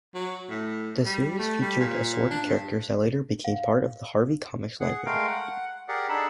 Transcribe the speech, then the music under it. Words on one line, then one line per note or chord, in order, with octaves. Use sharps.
The series featured assorted characters that later became part of the Harvey Comics library.
F#3
A2
G3
A3
G3
A#2
D4
G2
F5
G#4 F#5
G#3 A3 A#4 F5 G5
F#5
G4 G#4 A#4 D5 F#5
D4 D#4 G#4 A4 A5 B5